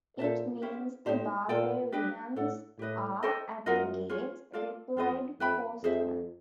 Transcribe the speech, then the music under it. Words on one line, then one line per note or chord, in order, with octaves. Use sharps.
"It means the barbarians are at the gates," replied Forstmann.
A#2 A4 C5 E5 A5
C#4 E4 G4 C5
A2 D#4 G4 C5
A#2 F4 A4 D5 G5
D4 G4 B4 D#5
A2 A4 D5 F#5
A2 G4 B4 D#5
A4 C5 D#5 G5
F#2 F4 A#4 D#5 F#5
F4 G#4 C#5
F4 A4 D5 F5
F2 F4 A4 C5 D#5
F2 B4 E5 G5 B5
F2 G#4 C5 E5